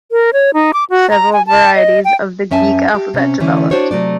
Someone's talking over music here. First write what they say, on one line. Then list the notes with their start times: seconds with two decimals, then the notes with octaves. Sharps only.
Several varieties of the Greek alphabet developed.
0.12 A#4
0.33 C#5
0.54 D#4
0.74 D6
0.90 F#4
1.10 A#5
1.33 G#5
1.47 A5
1.75 D#5
2.05 G5
2.51 F#2 C#4 E5 G#5 A5
2.95 G4
3.14 C3 C#4
3.40 D3 E3 A3 C#4
3.71 D4 F#4 C5 C#5
3.91 C3 F#3 A3 D5